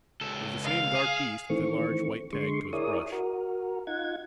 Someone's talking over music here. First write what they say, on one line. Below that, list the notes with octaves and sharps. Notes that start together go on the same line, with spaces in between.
It was the same dark beast with a large white tag to his brush.
C#2 A4
F5
G#4
D#3 E3 A3 C4 C#6
D3 G#3 C6 C#6
E4 G#4 A#4 C#5 D5 D#6
F#4 A#4
D#4 F4 F#5 G#6